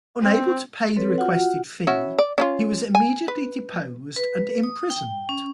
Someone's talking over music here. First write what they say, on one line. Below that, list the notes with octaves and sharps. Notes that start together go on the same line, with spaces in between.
Unable to pay the requested fee, he was immediately deposed and imprisoned.
C4
C4 A4 B4 C#5
F4 F#4 F#5
C#4 E4 F#4
D5
C#4 E4 F4
G#5
B4
B4
D#6
G5
C#4